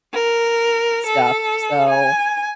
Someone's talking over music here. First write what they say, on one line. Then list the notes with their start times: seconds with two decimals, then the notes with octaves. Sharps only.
stuff so,
0.13 A#4
1.06 A4
1.90 G#5